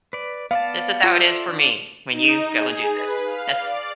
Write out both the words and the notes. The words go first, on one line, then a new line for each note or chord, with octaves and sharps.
This is how it is for me when you go and do this. That's f
B4 D5
B3 D5 F5 A5
F4 A4 D5 E5
D4 D5
D#4
G#4
B4
F5
D5